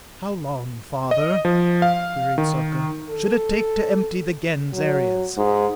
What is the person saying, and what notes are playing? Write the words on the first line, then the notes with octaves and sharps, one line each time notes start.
"How long, father," queried Sarka, "should it take to empty the Gens areas?"
D#5
F3
F5
D#3
A4
F#3
G#2